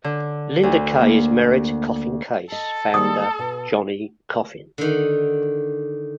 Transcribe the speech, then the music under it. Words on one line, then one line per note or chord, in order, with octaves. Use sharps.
Lynda Kay is married to Coffin Case founder Jonny Coffin.
D3
D2
A#3
A4 D#5
D#3 G3 A#3 D#6
B2
D3 D#3